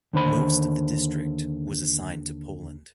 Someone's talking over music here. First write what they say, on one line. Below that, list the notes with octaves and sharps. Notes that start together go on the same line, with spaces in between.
Most of the district was assigned to Poland.
D#2 D3 C5 B5